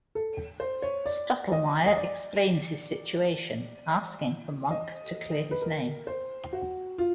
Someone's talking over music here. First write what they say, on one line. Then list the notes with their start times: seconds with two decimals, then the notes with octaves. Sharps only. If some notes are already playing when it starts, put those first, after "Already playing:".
Stottlemeyer explains his situation, asking for Monk to clear his name.
0.15 A4
0.60 C5
0.82 C#5
1.06 D5
1.52 D#5
1.86 D#5
1.97 D5
4.71 D#5
5.51 B4
5.62 A#4
6.07 C5
6.53 F#4
6.98 F4